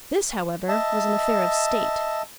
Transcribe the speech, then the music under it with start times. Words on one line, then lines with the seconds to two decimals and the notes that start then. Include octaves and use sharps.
This, however, was an affair of State.
0.69 D#5 E5 A5